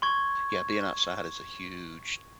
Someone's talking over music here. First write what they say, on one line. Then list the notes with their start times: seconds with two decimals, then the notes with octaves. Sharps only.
Yeah, being outside is a huge
0.02 C6 C#6 G#6